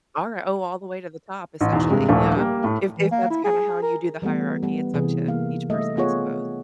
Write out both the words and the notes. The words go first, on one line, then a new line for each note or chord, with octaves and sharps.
Alrigh oh, all the way to the top, essentially, yeah. If if that's kinda how you do the hierarchy, it's up to each person, I suppose.
A1
E2 G#2 B2
G2 C3 G#3
D#1 A#1 A#2 A3 D4 E4
G3 A#3
A2 A3
E3
A#3
E4
G#4
A#4
E3 G3 A3 B3
G3 B3
C3 E3 G#4
A#3 F5
G3 A3 D#5 E5
A3 B3 F4 G#4 C#5 F#5